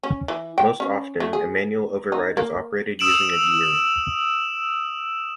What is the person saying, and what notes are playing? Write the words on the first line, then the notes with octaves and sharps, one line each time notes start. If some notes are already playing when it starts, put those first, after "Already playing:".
Most often, a manual override is operated using a gear.
C#4
E3
G5
C#4
A3
G#4
D#4
A#3
D#6 E6 D7 E7 F#7